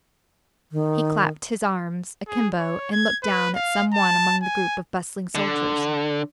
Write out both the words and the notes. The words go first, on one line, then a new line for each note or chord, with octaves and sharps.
He clapped his arms akimbo and looked down at some one among the group of bustling soldiers.
D#3
G#4
C#5
G#6
B4
F5
A5
G#5
D3